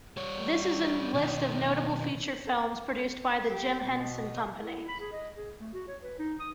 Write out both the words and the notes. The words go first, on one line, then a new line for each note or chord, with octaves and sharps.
This is a list of notable feature films produced by The Jim Henson Company.
G3 C#5
B2 D#3
G4
B2
E4
B5
G#4
D#5
G#4
A3
F#4
C#5
B4
D#4
D#6